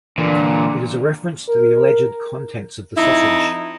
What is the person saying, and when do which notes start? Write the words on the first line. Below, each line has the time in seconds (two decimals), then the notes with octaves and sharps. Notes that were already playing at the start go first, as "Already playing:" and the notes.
It is a reference to the alleged contents of the sausage.
0.18 A#2 D3 E3 D4
1.49 A#4
2.97 F2 D#4 E4